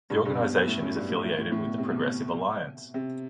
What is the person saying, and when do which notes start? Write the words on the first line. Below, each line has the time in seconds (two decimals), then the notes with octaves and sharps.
The organisation is affiliated with the Progressive Alliance.
0.10 G2
0.25 G2
0.39 B2
0.67 A2
0.82 F#2
0.95 G2
1.10 A2
1.24 A2
1.38 A2
1.52 A2
1.66 B2
1.78 C3
1.91 B2
2.94 C3